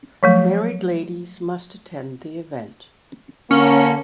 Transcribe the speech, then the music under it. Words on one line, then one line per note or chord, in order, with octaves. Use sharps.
Married ladies must attend the event.
F3 F#3 A3
D3 A#3 C#4